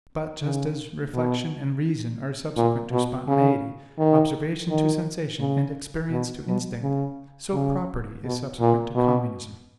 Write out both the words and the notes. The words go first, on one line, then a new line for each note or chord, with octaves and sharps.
But, just as reflection and reason are subsequent to spontaneity, observation to sensation, and experience to instinct, so property is subsequent to communism.
C#3
B2
A#2
B2
C#3
D#3
D#3
C#3
B2
B2
C#3
C#3
B2
A#2
B2